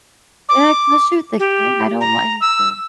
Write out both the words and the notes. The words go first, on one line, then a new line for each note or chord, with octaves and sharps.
Yeah, especially with a kid. And I don't want him to
D6
G4
A#5
E6